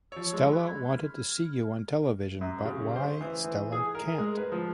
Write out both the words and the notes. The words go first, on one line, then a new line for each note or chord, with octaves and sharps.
Stella wanted to see you on television, but why Stella can’t?
F3 C#5 E6
G#3 E6
B5 F#6
G#6
F6
F#2
C#3
C5
E3
E3
G#4
A#4
G#3
B4
F3